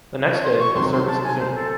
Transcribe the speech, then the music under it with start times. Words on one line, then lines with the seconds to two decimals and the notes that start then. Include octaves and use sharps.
The next day, the service resumed.
0.27 C#5
0.43 C6
0.59 C#6
0.75 C2 C3 D#3 F#3 C4 C6
0.91 C6
1.07 A5
1.23 G#5
1.39 C5
1.55 A4